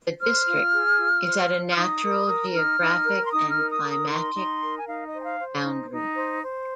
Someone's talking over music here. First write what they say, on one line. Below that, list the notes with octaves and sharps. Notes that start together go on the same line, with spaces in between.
The district is at a natural geographic and climatic boundary.
C5 F6
F4
G#4
F4
C5
F4
F6
D#4 D#6
A#4
A#4
D#4 F6
D#4
A#4
C6
D#4 D#6
F6
A#4
D#6
A#4
D#6
D#4 C6
D#4
A#4
G#5
D#4 F5
D#5
C5
G#5
F5
C5
D#4
D#4
C5
C5